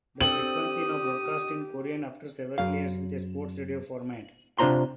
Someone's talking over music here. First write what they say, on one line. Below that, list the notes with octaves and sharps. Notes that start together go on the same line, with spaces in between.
The frequency now broadcast in Korean after several years with a sports radio format.
C4 D4 G4 A4 D#6 F#7
F#2 F5
C3 D4 F4 C5 A#5 C6